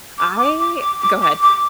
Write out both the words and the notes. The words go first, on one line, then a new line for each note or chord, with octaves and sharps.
I go ahead.
D6
D6
D6
D6
D6
D6
D6